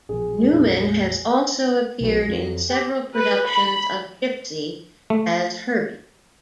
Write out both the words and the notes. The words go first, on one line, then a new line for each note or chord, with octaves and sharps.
Newman has also appeared in several productions of "Gypsy" as Herbie.
A#1 B2 F3 G#4
A#1 F2 A#2
B1
F2
G4
B4
B5
A3